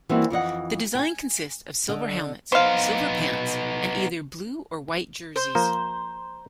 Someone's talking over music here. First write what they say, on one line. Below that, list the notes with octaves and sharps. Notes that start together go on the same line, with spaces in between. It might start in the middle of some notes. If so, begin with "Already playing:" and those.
The design consists of silver helmets, silver pants, and either blue or white jerseys.
E3 G3 A#3 C4 E4 F#4
F2 E3 D#5 F#5
G5 G#5
D3 D#5
B3 D#4 C5 F5
C5
F3 A#3 A#5